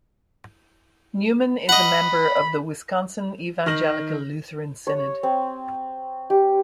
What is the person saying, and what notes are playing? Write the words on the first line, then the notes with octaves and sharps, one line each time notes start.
Neumann is a member of the Wisconsin Evangelical Lutheran Synod.
D#5 F#5 B5
D#3 F6 A#6 F#7
C#5
C4
G4